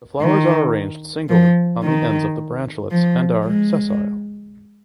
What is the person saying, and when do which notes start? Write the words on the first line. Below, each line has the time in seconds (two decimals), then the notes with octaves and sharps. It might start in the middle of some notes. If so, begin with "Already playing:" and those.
The flowers are arranged singly on the ends of the branchlets and are sessile.
0.21 D#3
1.29 F3
1.83 D#3
2.91 F3
3.45 G#3